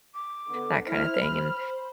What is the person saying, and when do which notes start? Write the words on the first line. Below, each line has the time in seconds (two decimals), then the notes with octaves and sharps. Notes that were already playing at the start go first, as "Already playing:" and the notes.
that kinda thing, and
0.14 D6
0.50 D3 B3
0.87 E4 C5 F6
1.21 B5
1.57 C5